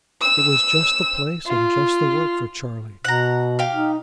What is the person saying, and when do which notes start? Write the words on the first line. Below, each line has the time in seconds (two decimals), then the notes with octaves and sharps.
It was just the place and just the work for Charley.
0.21 E6
1.46 F4
3.05 B2 F#5 A#5
3.59 G4 F5
3.73 D#4